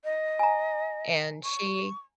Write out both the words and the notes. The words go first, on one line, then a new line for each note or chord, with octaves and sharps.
and she
D#5
G#5 A#5
C#6